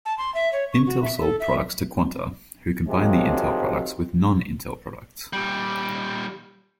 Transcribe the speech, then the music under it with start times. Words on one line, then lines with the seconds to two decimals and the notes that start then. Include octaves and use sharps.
Intel sold products to Quanta, who combined the Intel products with non-Intel products.
0.05 A5
0.18 C6
0.35 E5
0.53 C#5
0.72 C#6
0.86 F#4
1.03 E5
1.20 A4
1.40 E5
2.89 C3 D#3 F3 F#3 G#3
5.33 A#2 G3